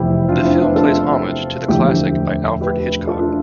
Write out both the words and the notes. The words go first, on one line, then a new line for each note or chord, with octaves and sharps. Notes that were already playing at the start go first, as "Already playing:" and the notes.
The film plays homage to the classic by Alfred Hitchcock.
Already playing: F1 E2 C3 F3 E4 G4
D4 F4
C4 E4
B3 D4
F4 A4
E1 D2 D3 F3 E4 G4
G4 B4
F4 A4
D4 F4